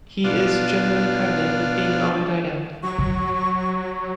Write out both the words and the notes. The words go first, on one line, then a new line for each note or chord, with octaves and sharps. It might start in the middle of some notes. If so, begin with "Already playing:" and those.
He is generally credited with being an autodidact.
B2 D4 F4
F#3 C#6